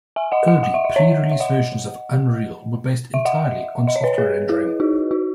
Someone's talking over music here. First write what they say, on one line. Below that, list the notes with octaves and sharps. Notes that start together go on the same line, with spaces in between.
Early pre-release versions of "Unreal" were based entirely on software rendering.
E5 G#5
D#5 F#5
D#5 F#5
F#5
E5
D#5
C#5 E5
E5
D#5 F#5
E5
D#5 F#5
D#5
C#5
B4 D#5
G#4 B4
E4 G#4
D#4 F#4
D#4 F#4